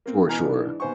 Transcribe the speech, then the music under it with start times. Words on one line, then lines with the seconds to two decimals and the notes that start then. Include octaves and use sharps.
Sure, sure.
0.06 A#3 C4
0.29 B2 E3 G#5 A#5 F6
0.43 G#2 E3 D4
0.80 D#2 B3 C5 G#5 C#6